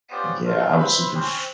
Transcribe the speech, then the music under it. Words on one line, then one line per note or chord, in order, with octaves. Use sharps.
yeah, I'm super f
B3 C#4 F4 G4 C5 D5
A3 F4
B4 C5 E5 B5 C6
C4 C#4 C5